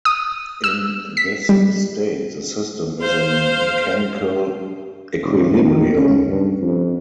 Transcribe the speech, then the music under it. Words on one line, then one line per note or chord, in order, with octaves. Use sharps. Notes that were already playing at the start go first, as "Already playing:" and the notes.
In this state the system is in mechanical equilibrium.
D#6
E6
B6
G3
C5 F5
D#1
D#3
C#4
G2
F2